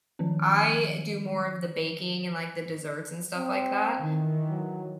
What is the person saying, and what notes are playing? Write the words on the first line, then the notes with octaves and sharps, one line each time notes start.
I do more of the baking, and, like, the desserts, and stuff like that.
D#3 F3 C#4
C4
D#3 E3
F#3